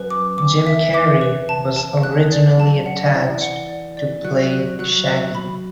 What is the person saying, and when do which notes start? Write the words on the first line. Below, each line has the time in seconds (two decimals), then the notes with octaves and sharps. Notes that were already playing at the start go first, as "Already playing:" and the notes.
Jim Carrey was originally attached to play Shaggy.
Already playing: F#2 B4
0.10 D6
0.38 E2 D6
0.67 E5
0.94 D6
1.21 B4
1.49 A5
1.76 A5
2.03 E2 F#6
2.32 D5
2.59 F#2 A5
2.86 F#5
3.05 D3
3.14 E3 D5
3.41 F#5
3.69 D5
3.97 D5
4.25 F#3 F#6
4.51 F#6
4.79 F#3 F#6
5.07 F#6
5.35 B5